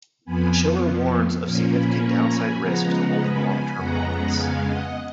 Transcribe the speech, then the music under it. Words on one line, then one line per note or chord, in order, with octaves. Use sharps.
Shiller warns of significant downside risk to holding long term bonds.
F2 F3 B3 G#5 B5
A#2 F3 A#3 C#4
G#5 B5
A#5 C#6
G#5 B5
C#3 F3 G#3 B3 F#5 A#5
G#5 B5
G#5 B5
F2 C#3 G#3 B3 F#5 A#5
F5 G#5
D#5 F#5